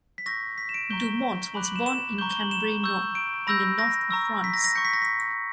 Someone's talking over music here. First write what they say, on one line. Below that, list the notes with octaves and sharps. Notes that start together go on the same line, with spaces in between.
Dumont was born in Cambrai, Nord, in the north of France.
B6
C#6 E6 G6 A#6
B6
E7
D7
A#5 C#6 G6 G7
B5 D6 F#6 F#7
F#7
E7
E7
A#5 C#6 G6 G7
G7
F#7
E7
C#6 E6 G6
D7
B5 E6 G6 A#6
A#6
A#5 C#6 E6
B6
A#6
A#6
C#6 G6 C#7
B6
A#6
B6